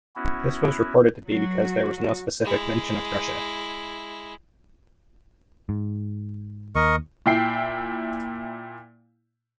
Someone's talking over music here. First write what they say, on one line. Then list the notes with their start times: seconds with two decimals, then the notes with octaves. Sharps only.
This was reported to be because there was no specific mention of Russia.
0.16 B3 C#4 E4 F#4
1.28 F#3 F#4
2.44 G#3 E4
5.69 G#2
6.75 D#2 A#4 D#5 C#6
7.26 A#2 E4 G5 C7